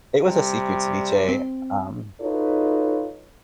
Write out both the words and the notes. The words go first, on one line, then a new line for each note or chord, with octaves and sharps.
it was a seafood ceviche. Um,
C3 G3
C4
D#4 F4 F#4 A4 B4 C#5